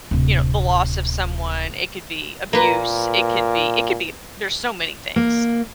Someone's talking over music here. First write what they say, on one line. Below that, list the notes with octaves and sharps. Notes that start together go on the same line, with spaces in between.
you know, the loss of someone, it could be abuse. It could be it could be there's so many things.
D1 C3
A#2 A#3 B4
A#3